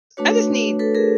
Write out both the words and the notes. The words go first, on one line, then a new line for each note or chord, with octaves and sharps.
I just need
A3 D4 F#4 B4 C#5
A4 B4
G#4 A#4